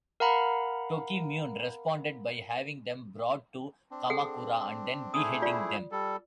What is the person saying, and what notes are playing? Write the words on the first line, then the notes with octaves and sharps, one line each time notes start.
Tokimune responded by having them brought to Kamakura and then beheading them.
A#4 F5 F#5 A#5 B5
C4 D4
G#4 A4 F#5
A3 E4 G#4 D#6
F4 D5
G3 A4